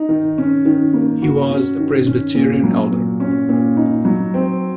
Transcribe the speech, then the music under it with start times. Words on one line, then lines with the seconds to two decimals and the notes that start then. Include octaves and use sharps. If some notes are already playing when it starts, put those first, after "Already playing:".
He was a Presbyterian elder.
Already playing: D#4
0.09 D#3
0.38 C#4
0.65 D#3
0.94 A#3
1.22 F#4
1.50 C#4
1.79 D#3
2.07 C#4
2.35 A#2
2.63 F#3
2.92 A#2
3.20 C#4
3.49 A#2
3.77 D#4
4.05 F#3
4.34 C4